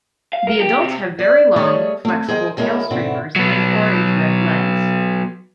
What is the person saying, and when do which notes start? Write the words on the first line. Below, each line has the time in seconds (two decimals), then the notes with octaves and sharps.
The adults have very long, flexible tail streamers and orange-red legs.
0.33 F5
0.47 A#4
0.61 G4
0.81 C3
1.19 D5
1.56 G3 A3 C#4 G#4 C#5 D#5
2.05 A3 C4
2.28 G#4 A#4 C5 D#5 G5
2.57 D2 G#3 C#4 E4 A#4
2.90 G#2 B2 D3 C4 E4 F#4
3.36 F#3 B3